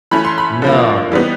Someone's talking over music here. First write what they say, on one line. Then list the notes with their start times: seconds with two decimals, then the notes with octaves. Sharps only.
No, no.
0.11 E3 A3 C#4 B5
0.25 C6
0.38 B5
0.62 D3 F3 A#3
1.12 E3 G3 B3 D#4